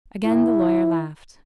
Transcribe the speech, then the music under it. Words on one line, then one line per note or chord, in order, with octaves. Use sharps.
Again the lawyer laughed.
E4